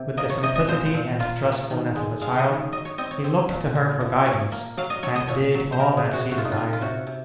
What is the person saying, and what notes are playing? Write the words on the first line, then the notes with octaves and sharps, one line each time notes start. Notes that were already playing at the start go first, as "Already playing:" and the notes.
With the simplicity and trustfulness of a child, he looked to her for guidance, and did all that she desired.
Already playing: C3
A#3 D#5
C#5
C3 D#5
D#5
A#2 C5
C5
A#2
A#3 F4
A#3
D#3
G#3
G#3 F5
D#5
D#3
F#3 D#5
C#5
C4 D#5
C#5
C4
A#2
A#2
A#2
A#2 C#5
A#3
F#3 F5
D#5
F#3 C#5
D#5
A#2 C#5
F#3
C5
C3 A#4
G#4
C3
F#4
C3 F#4
F4
D#4
F4
A#3
F4
C3 F#4
C3